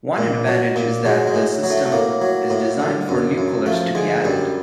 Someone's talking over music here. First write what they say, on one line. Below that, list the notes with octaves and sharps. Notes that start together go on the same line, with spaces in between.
One advantage is that the system is designed for new colors to be added.
A#2
F#3
A#2
F#3 G#3
G#3
A2
F#3
A3
A3
A2 A#3
F#3
A2
D3
F#2
F#2
F3 A3
D3 G#3
F#2 G3